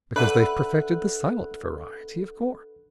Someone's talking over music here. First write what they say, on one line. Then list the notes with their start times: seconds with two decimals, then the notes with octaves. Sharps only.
Because they've perfected the silent variety, of course.
0.16 D4 A4 B4 E5 F#5